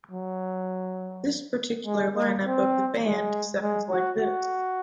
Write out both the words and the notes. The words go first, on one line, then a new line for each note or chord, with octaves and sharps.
This particular lineup of the band sounded like this.
F#3
G#3
A#3
C4
G#3
G#3
F#4
F#4